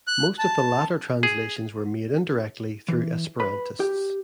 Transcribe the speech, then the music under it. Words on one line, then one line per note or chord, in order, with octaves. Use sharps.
Most of the latter translations were made indirectly, through Esperantists.
F#6
A5
G#4
E3
B4 B5
G4